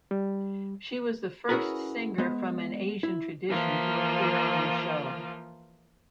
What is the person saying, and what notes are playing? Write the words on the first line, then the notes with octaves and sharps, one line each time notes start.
She was the first singer from an Asian tradition to appear on the show.
G3
C#4 E4 F#4 G#4 A#4 B4
G#3 B3
E4
E3 F3 A#3 F4